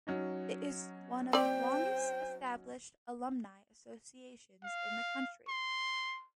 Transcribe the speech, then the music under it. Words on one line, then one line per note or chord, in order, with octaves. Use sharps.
It is one of the longest established alumni associations in the country.
F#3 C#4 D#4
C4 C5 D5 G5
F5
C6